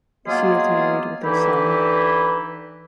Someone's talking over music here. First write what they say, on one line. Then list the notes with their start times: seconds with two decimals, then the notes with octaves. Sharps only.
She is married with a son.
0.26 F#3 A#3 B3 F4 G#4 D#5
1.23 D3 E3 D#4 E4 G4 B4